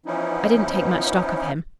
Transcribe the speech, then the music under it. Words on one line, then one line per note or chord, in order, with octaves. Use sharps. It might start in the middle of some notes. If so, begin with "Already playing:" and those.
I didn't take much stock of him.
E3 F3 B3 C#4 D#4 E4